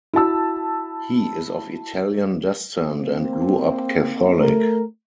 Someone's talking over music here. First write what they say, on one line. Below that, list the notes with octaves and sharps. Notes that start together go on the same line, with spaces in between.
He is of Italian descent and grew up Catholic.
E4 F#4 A5 E6
A#3 C4
A3 A#4